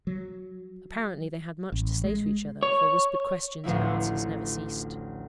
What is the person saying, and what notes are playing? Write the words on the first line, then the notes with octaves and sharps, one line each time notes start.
Apparently they had much to say to each other; for whispered questions and answers never ceased.
F#3
A1
G#3
C#5
A1 D2 F3 E4